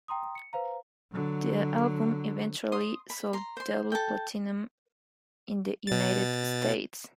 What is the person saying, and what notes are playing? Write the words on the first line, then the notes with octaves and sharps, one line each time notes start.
The album eventually sold double-platinum in the United States.
G5 A#5 C6 D#6
C#7
B4 C5 F5 A#5
D3 F#3
C6 D#6
B5
A#5 C6
C5 C6
A4 G5
B2 A6